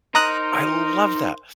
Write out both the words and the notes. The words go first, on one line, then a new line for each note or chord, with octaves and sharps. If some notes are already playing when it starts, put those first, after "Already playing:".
I love that!
D#4 A#4 C5 A#5 D#6 F#6